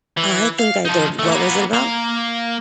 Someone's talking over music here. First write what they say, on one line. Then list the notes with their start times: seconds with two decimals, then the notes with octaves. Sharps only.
I think I did. What was it about?
0.17 E3
0.59 F5
0.85 F3 D#4
1.19 D#2 A3
1.31 A#3 B3
1.73 A#3 F5